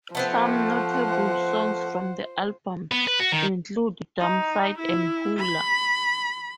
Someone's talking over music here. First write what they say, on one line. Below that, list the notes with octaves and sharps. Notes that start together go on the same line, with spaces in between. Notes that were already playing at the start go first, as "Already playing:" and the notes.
Some notable songs from the album include "Dumpsite", and "Hula".
F3 A3 B3 C4 C5 F#5
B3
B4
F#4
D#3
D#4
E4
B5